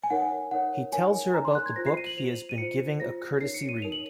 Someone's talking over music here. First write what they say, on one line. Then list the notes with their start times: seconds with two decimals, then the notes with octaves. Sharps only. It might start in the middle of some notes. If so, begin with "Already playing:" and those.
He tells her about the book he has been giving a courtesy read.
0.04 G#5
0.10 D#4 A#4 C#5 F#5
0.51 D#4 A#4 C#5 F#5
0.93 D#4 A#4 C#5 G#5
1.34 D#4 A#4 C#5 A#5
1.45 C6
1.55 F#6
1.66 G#6
1.76 F4 C5 A#6
1.86 C7
1.97 D#7
2.06 F#7
2.17 F4 C5 F7
2.49 D#7
2.58 F4 C5 C#7
2.99 F4 C5 A#6
3.41 D#4 A#4 C#5 C7
3.54 C#7
3.69 D#7
3.82 D#4 A#4 C#5 F7
3.92 F#7